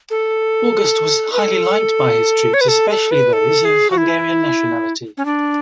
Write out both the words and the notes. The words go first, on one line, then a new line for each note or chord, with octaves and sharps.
August was highly liked by his troops, especially those of Hungarian nationality.
A4
B4
A4
C#5
B4
A4
A4
B4
A4
G#4
F#4
E4
C#4
D4